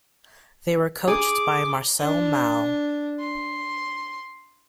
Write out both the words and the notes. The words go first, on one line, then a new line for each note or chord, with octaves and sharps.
They were coached by Marcel Mao.
G#4 D6
D4
C6